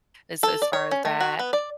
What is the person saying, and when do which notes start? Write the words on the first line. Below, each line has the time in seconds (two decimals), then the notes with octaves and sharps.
as as far as that.
0.43 A4
0.62 D5
0.73 C#5
0.91 C#4
1.05 A3
1.20 F#4
1.39 B3
1.53 D5